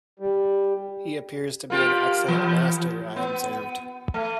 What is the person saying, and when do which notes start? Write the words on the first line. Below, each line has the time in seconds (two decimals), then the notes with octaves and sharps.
"He appears to be an excellent master," I observed.
0.19 G3
1.70 A#3 F4 G4
2.28 E3
3.16 B3
4.14 A3